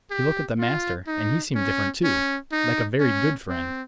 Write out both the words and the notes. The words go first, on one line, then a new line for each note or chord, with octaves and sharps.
He looked at the master, and he seemed different, too,--like a very good friend.
G4
F4
D#4
C#4
C#4
D#4
C#4
C4